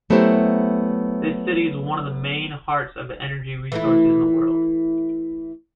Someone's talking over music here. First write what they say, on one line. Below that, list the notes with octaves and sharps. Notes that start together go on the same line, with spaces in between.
This city is one of main hearts of energy resources in the world.
F#3 A3 B3 E4 G4 C5
E3 A3 E4